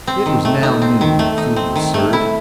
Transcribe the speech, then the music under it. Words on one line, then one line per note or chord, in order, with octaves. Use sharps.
It was now noon, and food was served.
C4
D#3
A3
D#4
C4
D#3
A3
D#4
C4
D#3
A3
E4